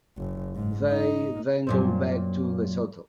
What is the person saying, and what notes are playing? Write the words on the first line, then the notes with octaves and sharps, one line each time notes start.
They then go back to Lesotho.
F#1
G#2
D#4
F#2 A#2 C4